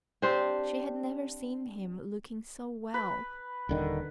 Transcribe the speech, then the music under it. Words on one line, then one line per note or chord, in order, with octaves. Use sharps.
She had never seen him looking so well.
C4 D4 G4 C5
B4
D#1 D3 D#3